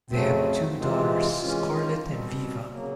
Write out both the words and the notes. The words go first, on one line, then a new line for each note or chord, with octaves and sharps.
They have two daughters, Scarlett and Viva.
F2 C#3 F#3 A3 C4
C3 E3 G#3 C4 F4
E3 G#3 C#4 F4
B2 G3 C4
C#3 F#3 A#3